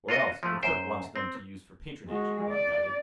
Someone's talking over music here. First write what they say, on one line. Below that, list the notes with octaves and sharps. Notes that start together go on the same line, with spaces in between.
"Or else Gurgurk wants them to use for patronage," Blount added.
F4 F#4 D#5
F3 A3
F#2 C5 G5
C4
G#3 F#4
D5